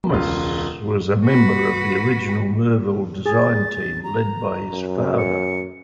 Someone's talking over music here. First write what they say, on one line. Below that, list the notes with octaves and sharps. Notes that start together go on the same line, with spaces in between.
Thomas was a member of the original Merville design team led by his father.
E1 C#2 F4
F#4 B4
G#4 A6
A#5
F#2
C#7